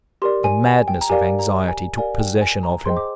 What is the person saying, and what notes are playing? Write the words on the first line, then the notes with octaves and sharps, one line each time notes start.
The madness of anxiety took possession of him.
G4 A#4 D5 C6
G#5
G#5
G5
A#5
G4 A#4 D5 F5 G#5
A#5
G#5
G4 A#4 D5 F5 G#5
G5
G#5
A#5
G#4 C5 D#5 G5 C6
D6